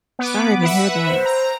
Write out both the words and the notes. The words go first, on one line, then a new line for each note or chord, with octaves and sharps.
sorry to hear that.
B3 B4 D6
B4 E5 F#5
C5
A#5